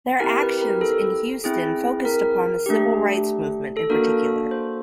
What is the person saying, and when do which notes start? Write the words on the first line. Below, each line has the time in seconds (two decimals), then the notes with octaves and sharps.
Their actions in Houston focused upon the Civil Rights Movement in particular.
0.20 C4 E4 G4 A#4
0.41 B4
0.61 A#4
0.81 A4
1.44 C4 E4 G#4
2.05 A#4
2.66 A3 D4 G4
3.77 A4
3.90 A#3 D4 F#4 A4 A#4
4.51 C5